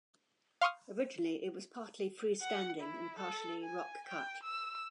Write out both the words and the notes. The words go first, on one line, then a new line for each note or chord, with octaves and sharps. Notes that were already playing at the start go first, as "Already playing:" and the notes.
Originally, it was partially free-standing and partially rock-cut.
F5 C6 C#6 D#6 F6
F#5
E4
A4
G#5
G5
E6